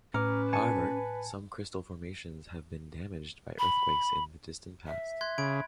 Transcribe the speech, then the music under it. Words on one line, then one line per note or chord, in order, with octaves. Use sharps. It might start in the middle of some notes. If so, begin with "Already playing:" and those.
However, some crystal formations have been damaged by earthquakes in the distant past.
A2 C#4 B4 A#5 D6 F6
G#5 A5 C#7
B5
E5
C6 F#6 G#6
C#3 B5 G#6 D7